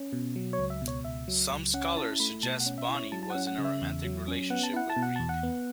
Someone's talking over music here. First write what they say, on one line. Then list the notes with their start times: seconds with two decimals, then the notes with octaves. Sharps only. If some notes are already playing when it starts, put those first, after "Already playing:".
Some scholars suggest Bonny was in a romantic relationship with Read.
Already playing: C#4
0.13 B2
0.36 F#3
0.53 C#5
0.59 C#2
0.70 E5
0.82 B2
0.88 C#5
1.04 C#2 E5
1.28 F#3
1.51 C#2
1.74 C#4 F#5
1.97 E4 A5
2.20 A3 B5
2.43 B2 A5
2.60 F#5
2.66 C#4
2.78 E5
2.89 E4
2.95 C#5
3.12 F#3 A5
3.23 A5
3.30 C#4 F#5
3.47 F#5
3.58 C#3
3.65 E5
3.81 E2
4.04 F#3
4.28 C#4
4.50 B3 F#5
4.63 A5
4.74 E4 F#5
4.90 A5
4.97 B2
5.02 F#5
5.16 E2 A5
5.29 F#5
5.43 B3